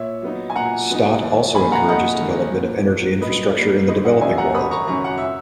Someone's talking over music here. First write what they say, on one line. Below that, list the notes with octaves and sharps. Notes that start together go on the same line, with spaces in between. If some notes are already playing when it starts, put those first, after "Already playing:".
Stott also encourages development of energy infrastructure in the developing world.
Already playing: A#2 C#5 E5
F#3 B3 D#4
G#5
A#2 F#5 A#5
F#3 B3 D#4
D#2
D#3 A#3 G#5 B5
F#5 A#5
D#2 D#5 F#5
D#3 A#3
A#2
F#3 A#3
A#2 B4 D#5
F#3 A#3
G#1 B4 D#5
D#5 F#5
F#2 D#3 F#3 C#4 E5 G#5
F#5 A#5
G#1 B5 D#6
A#5 C#6
F#2 D#3 F#3 C#4 A#5 C#6
F#5
E5